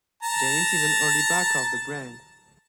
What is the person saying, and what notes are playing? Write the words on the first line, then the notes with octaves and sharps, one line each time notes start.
James is an early backer of the brand.
A5 A#5